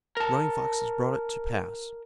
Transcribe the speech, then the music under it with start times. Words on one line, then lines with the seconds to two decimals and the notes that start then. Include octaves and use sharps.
Running Fox has brought it to pass.
0.17 A#4 A5